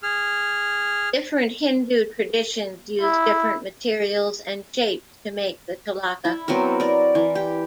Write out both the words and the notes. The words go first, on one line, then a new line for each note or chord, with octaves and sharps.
Different Hindu traditions use different materials and shapes to make the tilaka.
G#4 F6
E4
E4
F#3 B3 C4 A#4
A#4 D5
E3
G4